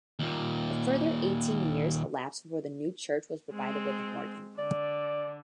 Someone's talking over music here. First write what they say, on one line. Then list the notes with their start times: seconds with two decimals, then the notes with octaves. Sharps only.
A further eighteen years elapsed before the new church was provided with an organ.
0.19 D#2 A#2
3.53 G#3 C4
4.58 D3 D5